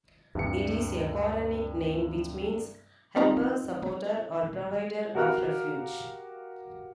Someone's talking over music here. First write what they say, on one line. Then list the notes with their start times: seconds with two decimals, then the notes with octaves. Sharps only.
It is a Quranic name which means: helper, supporter, or provider of refuge.
0.35 D2 G2 C3 C#7
3.16 D#3 F3 C4 D#4
5.15 F#4 G4 A#4 F5 F6 F#6